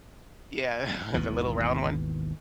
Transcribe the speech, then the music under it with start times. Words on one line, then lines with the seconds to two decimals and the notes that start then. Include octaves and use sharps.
Yeah, the little round one?
1.14 G#1 D#2 B2 E3